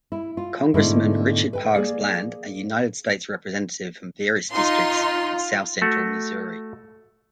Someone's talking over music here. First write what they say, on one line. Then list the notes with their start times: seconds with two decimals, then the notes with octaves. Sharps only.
Congressman Richard Parks Bland, a United States Representative from various districts in south-central Missouri.
0.12 E4
0.37 F4
0.74 G#2 B2 D3 G#3 A3 E4
1.53 B4 G5
1.76 A#3 G#4 D5
4.54 D#4 F4 C6
5.82 A3 F#4